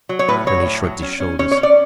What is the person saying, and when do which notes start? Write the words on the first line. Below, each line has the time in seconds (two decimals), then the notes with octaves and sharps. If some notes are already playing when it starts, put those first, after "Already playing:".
Then he shrugged his shoulders.
0.09 F#3
0.19 C#5
0.28 A2 B4
0.46 F#3 C#5
0.65 A2
0.84 F#3
1.02 C#4
1.20 C#4
1.39 C#4 C#5
1.51 C#5
1.57 C#4
1.63 D5